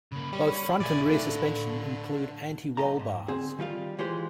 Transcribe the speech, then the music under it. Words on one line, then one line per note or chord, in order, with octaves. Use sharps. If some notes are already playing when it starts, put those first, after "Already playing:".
Both front and rear suspension include anti-roll bars.
C#3 A#3 B5
G3 C#4
B2 E4 D5 G#5
D3 A3 D4 F5
B1 G#2 D#5 A5 A#5
G#2
D3 C4 G#4
D#3 G3 F4 F5
E3 G#3 F4 G4 C5